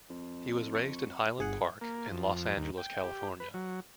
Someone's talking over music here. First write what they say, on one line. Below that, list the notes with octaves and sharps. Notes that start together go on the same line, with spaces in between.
He was raised in Highland Park, in Los Angeles, California.
F2
C#6
G1 G#4 F#5
A#3
F2
D#2
G5
G4
B4
F#3